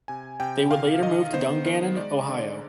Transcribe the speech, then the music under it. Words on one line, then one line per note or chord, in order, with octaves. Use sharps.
They would later move to Dungannon, Ohio.
C3 G#5
C3 G5
D#3 F5
D#3 D#5
B3 C5
D#3 C5
G#3 D5
D3